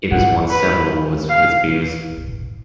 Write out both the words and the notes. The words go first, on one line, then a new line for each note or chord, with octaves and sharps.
It has won several awards for its beers.
F#5
B4
F5